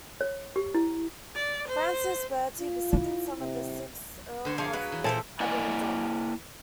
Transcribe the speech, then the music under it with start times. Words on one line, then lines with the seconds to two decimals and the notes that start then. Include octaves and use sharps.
Francis Bertie, the second son of the sixth Earl of Abingdon.
0.21 C#5
0.56 G4
0.74 E4
1.35 D5
1.68 C5
2.60 F4
2.93 E4
3.40 C3
4.45 D3 C5 C#5
4.58 F3 G#4 C#5 F5
4.73 F#3 B4
4.92 E3
5.04 A#2 F3 A4 C5 E5
5.40 A#3 E4 D5 D#5 G#5